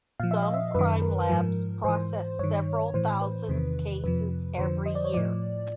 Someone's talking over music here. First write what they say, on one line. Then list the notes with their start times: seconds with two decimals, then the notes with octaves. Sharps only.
Some crime labs process several thousand cases every year.
0.20 A#2 F3 F5
0.31 E5
0.43 D#5
0.54 E5
0.74 F#2 D#3 B4
1.02 A#4
1.29 G#2 F3
1.84 G#2 E3 C5
2.39 G2 D#3 C#5
2.94 A2 E3 C5
3.21 B4
3.48 E2 C3 D#3
4.04 F2 C3 F3 B4
4.58 F2 D3 F3 C5
4.86 D#5
4.95 D5
5.04 C#5
5.13 A2 F3 D5